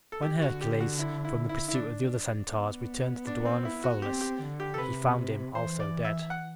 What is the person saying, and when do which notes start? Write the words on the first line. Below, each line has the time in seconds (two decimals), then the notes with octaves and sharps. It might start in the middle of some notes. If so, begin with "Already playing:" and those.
When Hercules from the pursuit of the other Centaurs returned to the dwelling of Pholus he found him also dead.
0.12 A4
0.22 D3 G4
0.42 F#4
0.61 G4
0.80 F#4
0.99 E4
1.25 E4
1.49 E4
1.68 E4
1.75 D4
2.51 B3
3.27 D4
3.45 C4
3.65 E4
3.84 F#4
4.02 C4 G4
4.21 G4
4.41 D3
4.60 G4
4.74 A4
4.78 C3 B4
5.55 E3 C5
5.80 D5
6.04 E5
6.30 F#5